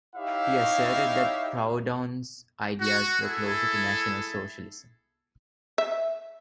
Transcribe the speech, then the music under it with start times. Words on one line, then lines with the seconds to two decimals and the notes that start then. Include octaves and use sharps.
He asserted that Proudhon's ideas were closer to National Socialism.
0.16 D#4 E4 G4 C#5 E5 F5
2.81 F#4
3.22 E4 G#4 A4
5.78 E5